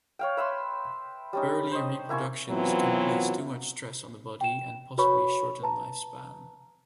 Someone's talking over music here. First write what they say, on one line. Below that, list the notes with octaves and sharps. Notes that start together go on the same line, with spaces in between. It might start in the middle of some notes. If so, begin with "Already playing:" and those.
Early reproduction can place too much stress on the body and possibly shorten lifespans.
C#5 F5 G5
B4 E5 B5 C6
G3 C#4 D#4
C5 C#5 D#5
A#3 E4 G#5 C#6
F#2 E3 F#3 B3 C4 F4
G5 E7
F#4 B4 C#5 B5 C#6
B4 A5 A#5